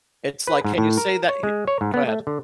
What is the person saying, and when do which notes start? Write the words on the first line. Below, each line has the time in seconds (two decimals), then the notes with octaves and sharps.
It's, like, "Can you say that y" go ahead.
0.47 B4
0.64 G#2
0.78 A2
0.97 A#4
1.29 C#5
1.43 G#3
1.67 C#5
1.81 G#2
1.94 B3
2.07 A3
2.27 D3